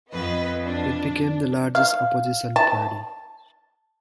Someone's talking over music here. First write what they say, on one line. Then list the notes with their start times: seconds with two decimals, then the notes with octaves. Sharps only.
It became the largest opposition party.
0.12 F2 B3 B4 D#5
0.65 D4
1.75 F5
2.56 A5